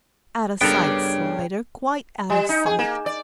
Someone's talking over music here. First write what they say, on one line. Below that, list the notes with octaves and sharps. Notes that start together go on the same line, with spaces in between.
Out of sight, Slider, quite out of sight.
G2 C#3 B3 D4 A4 A#4 G5
G3
D#4
G#4
A#3
D5